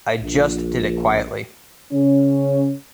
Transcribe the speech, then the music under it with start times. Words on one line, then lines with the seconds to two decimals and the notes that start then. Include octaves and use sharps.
I just did it quietly.
0.22 A#1
1.92 C#3 C#4